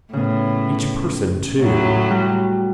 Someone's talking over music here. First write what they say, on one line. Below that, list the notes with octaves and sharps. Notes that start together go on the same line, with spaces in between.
Each person too.
A2 C#3 B3
A2 F#3 A3
G3 F#4